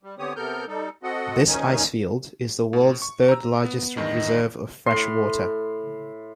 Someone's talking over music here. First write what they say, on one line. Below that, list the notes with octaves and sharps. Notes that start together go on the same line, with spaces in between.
This ice field is the world's third largest reserve of fresh water.
G3
D3 B3 C4 G4 C#5 D#6
C3 B3 A4 A#4 F6 G6
G3 D#4 A4
C4 F#4 A4 D#5 F#5
D2 D#3 C#4 D#4 G#5
A2
C#6
A#5 E6
B3
E2 G2 D#3 D#5
A2 C6